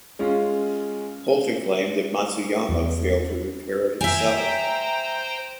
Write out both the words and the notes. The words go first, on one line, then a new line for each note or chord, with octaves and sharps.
Poulter claimed that Matsuyama failed to repair it himself.
G#3 C#4 F4
E2
C5 E5 G5 G#5 A#5